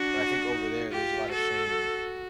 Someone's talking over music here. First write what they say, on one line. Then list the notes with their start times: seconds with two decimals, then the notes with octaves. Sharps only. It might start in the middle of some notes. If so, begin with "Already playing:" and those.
but I think over there, there's a lotta shame
Already playing: D4 F#4
0.52 D#4
0.91 F4 G4
1.30 F#4 A4
1.70 F#4